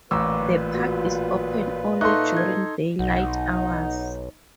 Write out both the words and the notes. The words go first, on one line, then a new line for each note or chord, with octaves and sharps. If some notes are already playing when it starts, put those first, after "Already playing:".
The park is open only during daylight hours.
A1 A#2 F4 B4 A#5 C#6 D6 E6
F#4
D#4 A4 E5 C6 C#6 F#6
G#6
B1 D#4 F#5